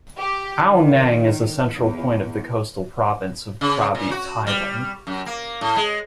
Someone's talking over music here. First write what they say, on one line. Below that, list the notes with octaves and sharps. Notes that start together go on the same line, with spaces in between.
Ao Nang is a central point of the coastal province of Krabi, Thailand.
G4
D#3
E2
C#3
A#2
F#4
G3
F#2
A#3
A2
G#3